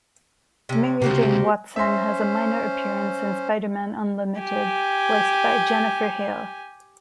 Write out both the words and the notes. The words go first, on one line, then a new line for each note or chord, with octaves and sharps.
Mary Jane Watson has a minor appearance in "Spider-Man Unlimited", voiced by Jennifer Hale.
C3 C#4
C#2 C3 A#3 F#4 G4 C5
C#4 C5 E5 C6
G4 G#5